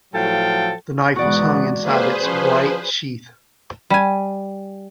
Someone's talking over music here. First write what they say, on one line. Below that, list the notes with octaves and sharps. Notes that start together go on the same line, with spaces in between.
The knife was hung inside its bright sheath.
A2 F3 F#3 A4 F5 G5
B1 E2 G#2 B3 F#4 D5
A#3 G#4 B4 C5
F3 C#4
G3 G#5